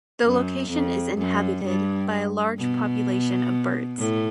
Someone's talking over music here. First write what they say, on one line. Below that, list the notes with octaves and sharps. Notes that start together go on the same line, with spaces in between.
The location is inhabited by a large population of birds.
F#2
F2
F#2
G2
B2
A2